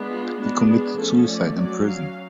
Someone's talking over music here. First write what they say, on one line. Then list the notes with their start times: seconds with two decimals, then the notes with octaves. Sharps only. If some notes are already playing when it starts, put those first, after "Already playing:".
He committed suicide in prison.
Already playing: G#3 B3 D4
0.10 F4
0.39 G#3 B3 D4 F#4
0.69 G#4
0.99 F3 A3 C#4 A4
1.28 D5
1.58 F#3 C#4 D5
1.88 F5